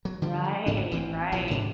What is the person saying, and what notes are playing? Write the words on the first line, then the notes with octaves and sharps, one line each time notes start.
Right. Right.
F#3
D3 F3 G3
A1 G#2 B2 D4
A1 E3 C4
A#1 C3 E3 F3
G#2 C3 D4